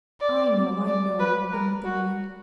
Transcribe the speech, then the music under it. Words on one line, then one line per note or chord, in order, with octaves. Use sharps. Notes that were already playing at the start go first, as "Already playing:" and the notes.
"I know, I know," nodded the man.
D5
D5
B4
A#4
F#4